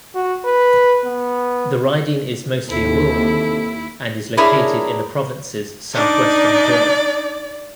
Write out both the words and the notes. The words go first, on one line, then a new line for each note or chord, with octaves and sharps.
The riding is mostly rural, and is located in the province's southwestern corner.
F#4
B4
B3
D#2 C3 E4 A4
D4 E4 G#4 A#4 C#5 E5
D4 D#4 D5